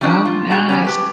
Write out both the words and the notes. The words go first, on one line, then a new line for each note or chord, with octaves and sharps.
Oh, nice.
F3 G3 C#4 D4 A#4
F4
A#2 F#4 G#4 F#5
D#3 G3 B3 C#4
G4 B4 A5